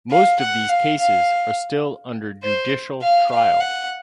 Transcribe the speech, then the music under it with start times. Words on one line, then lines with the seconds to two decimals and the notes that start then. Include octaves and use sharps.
Most of these cases are still under judicial trial.
0.11 F5
0.40 F#5
0.69 F5
0.99 F5
2.43 C5
3.02 F5
3.31 F5
3.60 F#5